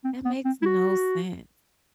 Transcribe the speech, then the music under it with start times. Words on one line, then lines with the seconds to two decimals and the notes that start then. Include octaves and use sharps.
That makes no sense.
0.04 C4
0.25 B3
0.45 C4
0.62 E4
0.66 F#4